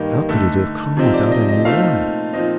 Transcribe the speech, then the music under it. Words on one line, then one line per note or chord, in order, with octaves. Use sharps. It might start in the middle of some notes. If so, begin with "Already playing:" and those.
'How could it have come without any warning?
Already playing: G2 D#3 A#3 D#4
D3 A3 D#4
C3 F3 C4 D#4
D5
D#5
D#5
A#2 A3 C4 D#4 F5
A#2 F3 C4 D#4 D#5